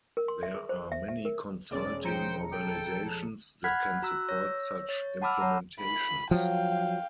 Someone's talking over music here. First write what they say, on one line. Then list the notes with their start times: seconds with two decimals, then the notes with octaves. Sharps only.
There are many consulting organizations that can support such implementations.
0.17 A#4
0.28 C6
0.43 E5
0.54 G#4
0.69 C5
0.92 E5
1.08 E5
1.25 A#4
1.71 E1 C#4 G#4 D5
2.04 F3 C5 G5 A#5 C#7
2.52 A4 G5
3.64 F#5 B5 F6 F#6 G#6 B6
4.02 F#4 A#5 E6 F#6
4.29 C#5 E6 A#6
4.89 C#5 A6
5.22 F#5 A5 B5 D6 E6 F6
5.40 C#5 F#5 A5 A#5
5.80 B5
6.31 F3 F#3 F5 G5